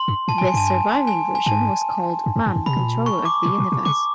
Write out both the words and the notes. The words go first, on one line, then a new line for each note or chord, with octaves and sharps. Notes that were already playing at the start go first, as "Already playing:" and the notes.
This surviving version was called "Man, Controller of the Universe".
Already playing: C6
G2
A2 A5
G#5
A2
G#5
G2 A5
G#5
G#5
G#5
G#2 A5
G2
F#2
G2
F2
C3 B5
B2
A#2
B2
C#6
D6
B2
A#2
B2
C#3 D6